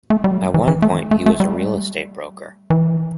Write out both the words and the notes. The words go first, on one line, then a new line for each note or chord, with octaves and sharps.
At one point, he was a real-estate broker.
A3
G3
F#3
E3
E3
A3
A3
A3
G3
E3